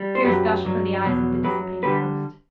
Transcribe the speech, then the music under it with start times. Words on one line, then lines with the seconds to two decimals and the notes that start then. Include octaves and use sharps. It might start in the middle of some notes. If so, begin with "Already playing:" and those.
Tears gushed from the eyes of the dissipated host.
Already playing: G3
0.15 C5
0.24 F#2 F#3 G4 B4
0.65 G2 F#3
1.04 E2 B2 F#3
1.44 F#2 F#3 G4 B4
1.83 D3 G3 G4 B4